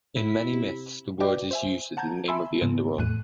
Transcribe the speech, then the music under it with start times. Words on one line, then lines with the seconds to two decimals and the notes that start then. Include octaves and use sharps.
In many myths, the word is used as the name of the Underworld.
0.16 E4
0.51 C3
1.20 F#4 B4 D5 D#5 G5 D6
1.51 C5 E5 G#5
1.97 F#5 A5 A#5 G6 G#6
2.28 E5 G#5 A5 B5 C6 E6
2.62 G#2 C#3 B3
2.98 E2 A2 A3 F#6 D#7